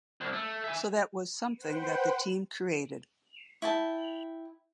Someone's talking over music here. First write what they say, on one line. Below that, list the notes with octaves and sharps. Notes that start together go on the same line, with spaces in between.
So that was something that the team created.
C2
A3
E5 G#5
B4 C5 F#5 G5
E4 G5 A5